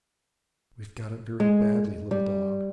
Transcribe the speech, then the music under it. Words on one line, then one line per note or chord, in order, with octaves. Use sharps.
'We've got it very badly, little dog!
G#3
G3